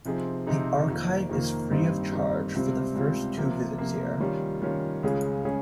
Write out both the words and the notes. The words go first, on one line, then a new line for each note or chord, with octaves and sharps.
The archive is free of charge for the first two visits here.
C3 F3 C4 D#4 G#4
C3 F3 C4 D#4 G#4
F2 D#3 A#3
F2 D#3 A#3
G2 D#3 G3 C4 D#4
G2 D#3 G3 C4 D#4
C#2 C3 G3 C4
C#2 C3 G3 C4
C3 F3 A#3
C3 F3 A#3
D#3 G3 C#4 F4
D#3 G3 C#4 F4
C#2 C#3 G#3 C#4 G#4
C#3 G#3 C#4 G#4